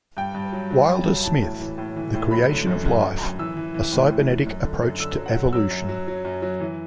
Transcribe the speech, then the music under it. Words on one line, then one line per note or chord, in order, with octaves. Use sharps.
Wilder-Smith, "The Creation of Life: A Cybernetic Approach to Evolution".
G2 G5
G2
F#3
F#3
F#3
F#3
E3 A5
A2
E3
A2
E3
A2
F#3 B5
D3
F#2
F#2
F#2
F#2
E3 E6
E3
E3
A2
A2
E3
F#2
D3
F#2
D3 E6
F#3
F#5
F#3
F#3 E6
F#2
F#3
F#3
F#2
F#3
E3